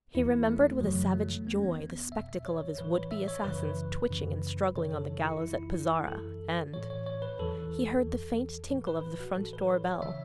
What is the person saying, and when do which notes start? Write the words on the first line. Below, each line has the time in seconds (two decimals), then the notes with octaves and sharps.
He remembered with a savage joy the spectacle of his would-be assassins twitching and struggling on the gallows at Pezara and--he heard the faint tinkle of the front door bell.
0.15 E2 E3 E4
0.48 A3
0.81 F#2 C#3 E3 F#3
1.14 A3
1.47 E2 E3 B3
1.55 C#4
1.64 B3
2.12 E2 B2 E5
2.46 C#5
2.78 A2 E3 B4
2.95 C#5
3.11 E5
3.28 C#5
3.44 F#2 C#3 E3 B4
4.10 F#2 C#3 E3
4.76 F#2 C#3 E3 C#5
4.92 A4
5.25 E4
5.42 F#2 E3 E4
5.74 E4
6.07 F#2 E3 A4
6.73 A2 E3 C#5
6.90 C#5
7.06 C#5
7.22 B4
7.39 E2 E3 A4
8.05 E2 E3
8.70 A2 E3 B4
8.87 B4
9.03 B4
9.20 F#4
9.37 A2 E3 A4
9.53 B4
9.69 C#5
9.86 C#5
10.02 C#3 E3 E5